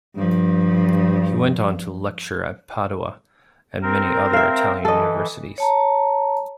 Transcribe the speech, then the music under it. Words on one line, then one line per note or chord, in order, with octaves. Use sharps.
He went on to lecture at Padua and many other Italian universities.
G2 F3
C4 A#4
E5 F5
E3 A4 D#5
C#5 A5 A#5